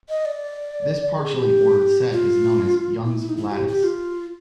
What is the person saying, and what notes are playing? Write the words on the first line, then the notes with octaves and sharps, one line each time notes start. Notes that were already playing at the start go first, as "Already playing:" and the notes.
This partially ordered set is known as "Young's lattice".
D#5
D5
G#4
G4
F4
E4
E4
D#4
E4
G4
G4
F4